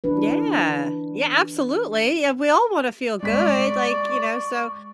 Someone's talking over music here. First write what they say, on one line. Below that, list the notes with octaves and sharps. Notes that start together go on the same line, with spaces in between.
Yeah. Yeah, absolutely, yeah, we all wanna feel good. Like, you know, so
E3 D4 B4
G#3 D5 C#6 B6